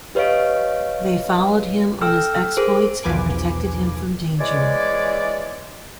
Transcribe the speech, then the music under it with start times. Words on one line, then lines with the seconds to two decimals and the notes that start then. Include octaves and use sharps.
They followed him on his exploits and protected him from danger.
0.15 G4 B4 C#5 D#5 F5 D7
2.01 A4 G5 E6 F6
2.57 G#4 A#4 C5
3.03 B1 E2 F3 B4 G#5 D6
4.39 E3 G#3 C#5 D5